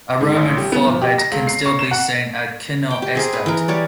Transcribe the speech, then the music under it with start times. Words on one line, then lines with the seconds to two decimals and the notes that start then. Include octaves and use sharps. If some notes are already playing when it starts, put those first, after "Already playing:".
A Roman fortlet can still be seen at Kinneil Estate.
0.21 G#2
0.37 A1
0.57 G3
0.72 B3
0.87 F3
1.02 G4
1.18 A#6
1.32 C#2
1.47 C7
1.66 C#6
1.79 E7
1.91 F#5
2.91 G5
3.02 G4
3.15 C4 G#4 A#4
3.33 B4
3.46 E3 A#4
3.68 G3 C#5 D5